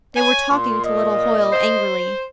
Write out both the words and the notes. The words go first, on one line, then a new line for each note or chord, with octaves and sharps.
They were talking to little Hoyle angrily.
C#5 G#5
A#2 C6
D#5
C5